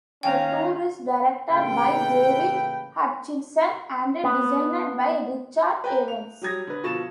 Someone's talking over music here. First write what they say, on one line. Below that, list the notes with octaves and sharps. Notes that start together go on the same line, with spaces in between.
The tour is directed by David Hutchinson and designed by Richard Evans.
G#1 D#2 C#4 F5 G5 G#5 A#5
A1 C#3 A#3 A4 B4 G5
B3
B4 G5 G#5 A#5
F7
F#3 G3 D#6 G#6 A#6
D3 B4
B2 F3 A4 C#6 A6 E7